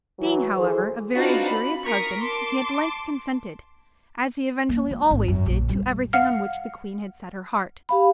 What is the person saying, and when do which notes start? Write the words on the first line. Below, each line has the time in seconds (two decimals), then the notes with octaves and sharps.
Being, however, a very uxorious husband, he at length consented--as he eventually always did to everything on which the Queen had set her heart.
0.19 E3 F#3
0.57 E3 G#4 A4 C5
1.15 C4 D4 D#4 F4 F#4 B4
1.47 B5
1.86 A#4 C#6 D#6 B6
2.20 A5 C6 D6
4.69 A#3
4.91 C#2
5.11 G#1
5.28 F#2
5.46 A#1
5.69 G3
6.13 F5 F#5 F6
7.89 G4 F5 B5